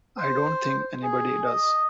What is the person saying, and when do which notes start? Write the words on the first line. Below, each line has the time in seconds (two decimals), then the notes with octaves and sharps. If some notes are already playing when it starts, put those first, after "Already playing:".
I don't think anybody does.
0.18 C5
1.03 G#4
1.46 D#5